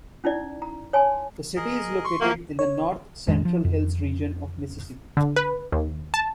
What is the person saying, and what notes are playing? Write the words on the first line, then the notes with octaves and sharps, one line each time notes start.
The city is located in the North Central Hills region of Mississippi.
C#4 D#4 E4 D5
A#5
C#5 G#5 A5 C6
G#4 A#4 D#5
C6 C#6
A3 A#3 F#4
C#5
A1 F2 D#3 G#3
F3
F2
D3
B4
D#2
A5